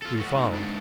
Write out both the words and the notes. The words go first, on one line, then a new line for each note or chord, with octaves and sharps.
We followed.
F4 A4
A2 F#4
C2 D#3
G#2 D4